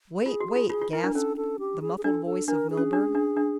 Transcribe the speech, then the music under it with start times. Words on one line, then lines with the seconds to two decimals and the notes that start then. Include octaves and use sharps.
"Wait, wait!" gasped the muffled voice of Milburgh.
0.20 A4
0.26 F4 G#4
0.40 F#4
0.48 G#4
0.56 F4
0.70 F4 G#4
0.81 F4
0.92 E4 A#4
1.03 D4
1.14 C#4 A4
1.37 A4
1.59 G4
1.82 G#4
1.98 G#4
2.04 D4 A4
2.26 A4
2.48 D4 A#4
2.70 G#4
2.77 C#4
2.93 D4
3.15 D4
3.37 D4